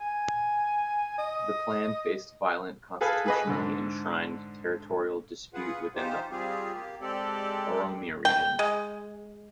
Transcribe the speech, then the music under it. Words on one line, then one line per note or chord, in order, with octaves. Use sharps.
The plan faced violent constitutionally enshrined territorial dispute within the Oromia region.
G#5
D#5
G#4 A4 B4 F5 G#5
G#4 B4 D#5
G#2 D3
F4 G#4 B4 F#5
E3 D#4 F4 G4 C5
G3 C4 F4 G4 G#4
A#3 G4
G#3 C4 G4 A4 D5
G5
G#3